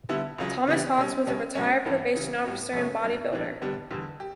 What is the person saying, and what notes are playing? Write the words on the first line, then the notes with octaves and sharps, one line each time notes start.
Thomas Hawks was a retired probation officer and bodybuilder.
D3 G3 B3 E4
C#2 C#3 F#3
C#3 E3 B3 D4 G4
B2 G3 C#4
B2 G3 C#4
B2 F#3 A3 C#4
G2 E3 B3
C#3 E3 G3
A2 G3 B3 F#4
F#2 C#3 F#3 A3 C#4
G2 F#3 B3 D4
A2 E3 G3 D4
D3 G3 B3 D4 G4
E2 D3 G3
G4